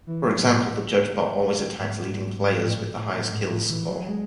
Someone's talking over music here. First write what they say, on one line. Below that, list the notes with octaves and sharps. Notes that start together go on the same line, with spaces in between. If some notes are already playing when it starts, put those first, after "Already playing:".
For example, the Judge bot always attacks leading players with the highest kills score.
E3
F#3
A2
G#2
G#2
G#2
A2
A2
A2
G#2
A2
E3
F#3
G#3